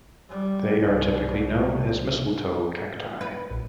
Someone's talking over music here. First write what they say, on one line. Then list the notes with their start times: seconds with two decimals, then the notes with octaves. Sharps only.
They are typically known as mistletoe cacti.
0.29 G3
0.81 C2 B2
3.21 B4
3.50 A#1